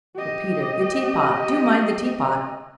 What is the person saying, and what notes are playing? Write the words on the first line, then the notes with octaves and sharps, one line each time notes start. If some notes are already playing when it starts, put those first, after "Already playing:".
"Oh, Peter--the teapot--do mind the teapot!"
G4 D#5